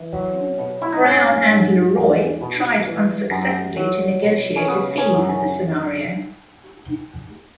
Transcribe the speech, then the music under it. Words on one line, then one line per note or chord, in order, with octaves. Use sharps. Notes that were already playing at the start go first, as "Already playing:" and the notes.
Brown and LeRoy tried unsuccessfully to negotiate a fee for the scenario.
Already playing: E3
F#3
B2
E4
D#4
G#2 C#4
G#2
E2
B2
E3
F#2
F#3
B2
C#4
C#3 B3
C#4
F#2
C#4